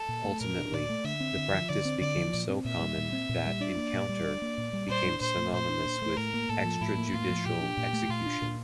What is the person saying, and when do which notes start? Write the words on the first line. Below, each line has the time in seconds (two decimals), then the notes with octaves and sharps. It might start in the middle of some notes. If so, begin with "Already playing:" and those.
Ultimately, the practice became so common that "encounter" became synonymous with extrajudicial execution.
Already playing: A4
0.09 A#2
0.24 A3
0.41 A#2 A#4
0.57 D4
0.72 A#2 D5
0.89 A3
1.04 D3 E5
1.20 C4
1.37 D3
1.53 F3
1.69 D3 D5
1.85 C4
2.01 D3 D5
2.17 F3
2.34 A#2
2.49 C4
2.65 A#2 E5
2.80 G3
2.98 A#2
3.12 C4
3.29 A#2
3.46 G3
3.61 D4 D5
3.77 A#3
3.93 A#2
4.09 G3
4.25 D4
4.42 A#3
4.58 A#2
4.73 G3
4.89 A#2 C5
5.06 D4
5.21 A#2 C5
5.38 A3
5.53 A#2 C5
5.69 D4
5.85 A#2
6.02 A3
6.17 A2 A#4
6.34 A#3
6.49 A2 A4
6.65 F3
6.81 A2 E4
6.97 A#3
7.13 A2 F4
7.30 F3
7.45 A#2 G4
7.61 D4
7.77 A#2
7.93 A3
8.09 A#2 F4
8.26 D4
8.42 A#2